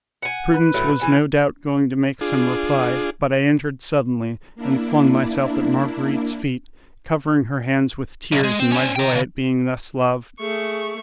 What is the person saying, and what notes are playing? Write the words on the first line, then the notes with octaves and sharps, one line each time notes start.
Prudence was no doubt going to make some reply, but I entered suddenly and flung myself at Marguerite's feet, covering her hands with tears in my joy at being thus loved.
F#5 G#5
B4
A2 F#3 A3
E3 G#5 A5
D4 F4 G#4
A#3 D4 E4
B1
G#3
C4
C#4 C5
G5 A#5
A#2 C#3
A3 G#4 C#6